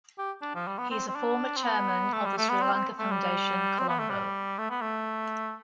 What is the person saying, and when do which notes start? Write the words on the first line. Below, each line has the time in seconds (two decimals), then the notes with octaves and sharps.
He is a former Chairman of the Sri Lanka Foundation, Colombo.
0.18 G4
0.42 D4
0.55 F3
0.67 G3
0.78 B3
0.91 C4
1.08 C4
1.16 D4
1.57 C4
1.64 B3
2.13 A3
2.25 G3
2.38 A3
2.50 B3
2.62 C4
2.75 C4
2.99 A3
3.11 G3
3.79 C4
3.89 B3
3.99 A3
4.09 G3
4.59 A3
4.70 B3
4.81 A3